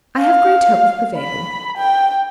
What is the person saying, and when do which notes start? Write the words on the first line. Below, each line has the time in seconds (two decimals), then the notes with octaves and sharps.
I have great hope of prevailing.
0.18 F5
1.17 B5
1.77 G5